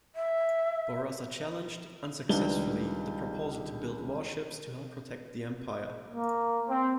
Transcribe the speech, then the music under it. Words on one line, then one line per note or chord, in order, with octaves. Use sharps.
Bourassa challenged, unsuccessfully, the proposal to build warships to help protect the empire.
E5
C#2 D#3 G3 D4 B4 G7
A#3
C4